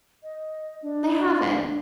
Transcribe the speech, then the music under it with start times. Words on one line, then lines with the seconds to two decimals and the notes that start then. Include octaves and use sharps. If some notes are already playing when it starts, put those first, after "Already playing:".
They haven't.
0.23 D#5
0.82 D4